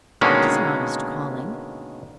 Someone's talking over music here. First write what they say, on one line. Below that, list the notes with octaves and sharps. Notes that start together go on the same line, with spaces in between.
'Tis an honest calling.
B2 D3 D#3 G#3 A#3 C#4